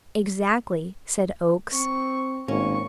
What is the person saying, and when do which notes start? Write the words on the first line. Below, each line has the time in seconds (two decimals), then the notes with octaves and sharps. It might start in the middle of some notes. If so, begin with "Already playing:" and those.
"Exactly," said Oakes.
1.73 C4 C#6
2.48 G#1 A#3 C#4 C#6